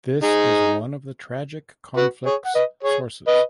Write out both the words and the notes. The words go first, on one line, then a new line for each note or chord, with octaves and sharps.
This is one of the tragic conflicts sources.
D#4 G#4
F#4 B4
G#4 C#5
F#5
B4 D#5
G#4 C#5
B4 D#5